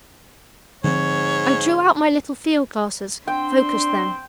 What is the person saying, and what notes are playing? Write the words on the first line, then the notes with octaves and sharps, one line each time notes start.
I drew out my little field-glasses, focussed them.
G#2 D3 F3 C4 C#5
C4 D4 G5 C6